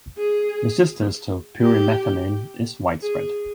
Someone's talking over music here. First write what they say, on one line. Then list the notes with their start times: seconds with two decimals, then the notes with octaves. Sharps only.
Resistance to pyrimethamine is widespread.
0.18 G#4
1.61 G4
3.02 G#4